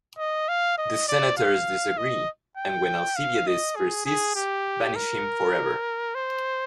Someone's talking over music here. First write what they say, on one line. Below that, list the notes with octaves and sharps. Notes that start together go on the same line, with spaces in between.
The senators disagree, and, when Alcibiades persists, banish him forever.
D#5
F5
D#5
D5
F5
D#5
G5
F5
D#5
G#4
G#4
G4
A#4
C5